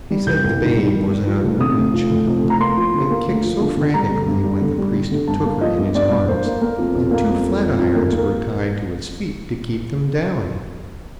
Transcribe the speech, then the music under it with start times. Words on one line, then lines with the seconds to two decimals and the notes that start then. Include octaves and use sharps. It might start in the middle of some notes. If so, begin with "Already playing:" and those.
He said the babe was an unruly child, and kicked so frantically when the priest took her in his arms that two flatirons were tied to its feet to keep them down.
0.10 G3
0.26 C2 G6
0.44 C2
0.60 D#3
0.77 G3
0.94 D#3
1.10 G3
1.27 F3
1.44 F1
1.60 C3 D#6
1.77 F1
1.94 F3
2.11 F1
2.27 F2
2.44 F1
2.50 A#5
2.60 A#3 C6
2.77 F3
2.94 D3
3.11 A#3
3.27 D2
3.44 F3
3.60 D3
3.77 D3
3.94 G3 A#5
4.11 D3
4.28 G2
4.44 G3
4.61 D3
4.78 G3
4.94 D3
5.11 D3
5.27 G2 A5
5.45 A#3
5.61 F3 D#5
5.78 G2
5.95 G2 D5
6.11 G2
6.28 A#3 C5
6.45 A#3
6.62 A#3 A#4
6.78 F2
6.95 F2
7.11 A#3
7.28 F2
7.45 F2
7.61 F2
7.78 F2
7.95 D#2 A#4
8.12 A#3
8.17 A#4